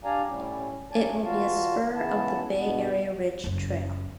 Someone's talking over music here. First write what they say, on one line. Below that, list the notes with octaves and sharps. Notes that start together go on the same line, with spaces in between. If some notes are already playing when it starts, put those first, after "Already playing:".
It will be a spur of the Bay Area Ridge Trail.
D4 G4 D5 F5 G#5 A#5
A2 G3 C#4
E2 F#3 C#4 D5 G#5 A5
E3 G3 F4 F#4 F5 A5
C#3 E3 B3 E4 A5
E2 G2 B2 B3
F#1 F#2